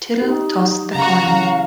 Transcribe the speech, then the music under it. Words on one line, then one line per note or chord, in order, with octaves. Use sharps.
Tittle tossed the coin.
D#4 G4
C#3 F#4 F5 F#5 A#5
E3 C#4